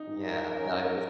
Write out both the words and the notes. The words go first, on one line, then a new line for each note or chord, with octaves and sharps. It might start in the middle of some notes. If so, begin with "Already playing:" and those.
Yeah, no, it was
Already playing: D#4
A#4
C#4